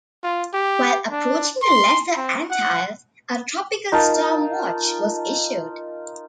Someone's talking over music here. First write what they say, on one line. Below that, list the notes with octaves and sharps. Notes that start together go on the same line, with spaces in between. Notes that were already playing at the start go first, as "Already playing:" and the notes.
While approaching the Lesser Antilles, a tropical storm watch was issued.
F4
G4
D4
C6
C4
F#5
D#4 F4 A#4 A5